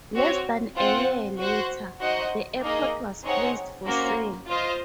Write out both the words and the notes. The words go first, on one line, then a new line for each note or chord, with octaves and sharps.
Less than a year later, the airport was placed for sale.
C4 F#4 C#5
C4 F4 C5 F#5
F#4 C5 F#5
D#4 F#4 C5 D#5 F#5
A#3 D#4 G#4 D#5
C4 D#4 G#4 C#5 F#5
A#3 C#4 F#4 C5
F4 C5 D#5